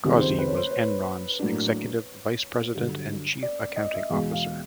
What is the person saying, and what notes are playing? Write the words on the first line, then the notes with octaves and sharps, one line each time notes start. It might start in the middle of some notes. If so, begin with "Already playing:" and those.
Causey was Enron's Executive Vice President and Chief Accounting Officer.
C#2 C3 D#3 G3
C5
B4
C#5
C5
C#5
A2 F#3 A#3 D4
G2 D3 F#3
D5
D5
D#5
E5
E2 B2 G#3 F5
F5